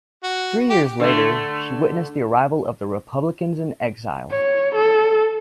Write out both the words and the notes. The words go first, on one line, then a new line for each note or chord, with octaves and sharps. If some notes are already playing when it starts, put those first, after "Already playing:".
Three years later she witnessed the arrival of the Republicans in exile.
F#4
G4
D3 A3
C#5
A4